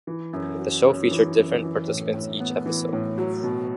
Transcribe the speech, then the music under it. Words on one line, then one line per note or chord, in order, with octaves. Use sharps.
The show featured different participants each episode.
E3
F#2
F#4
C#4
E3
F#2
E3
A2
A2
B3
E3
A2
F#3
B2